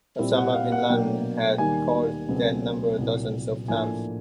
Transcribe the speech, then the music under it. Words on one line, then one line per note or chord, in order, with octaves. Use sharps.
Osama bin Laden had called that number dozens of times.
A#2 G3 C4 E4
F#5
F5
F#5
B2 F#3 A#3 D4 G5
D#2 D#3 G3 A#3 G#5
C#2 B2 F#3 A3 C4
C2 A#2 F#3
A2 F3 A#3 D4 G#5